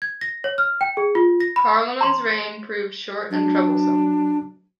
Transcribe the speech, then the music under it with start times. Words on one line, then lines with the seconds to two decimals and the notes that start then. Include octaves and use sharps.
Carloman's reign proved short and troublesome.
0.02 G#6
0.21 A#6
0.44 C#5
0.58 F6
0.81 G5
0.97 G#4
1.15 F4
1.40 A#6
1.56 B5
2.01 A#5 C6
3.31 F#3 D4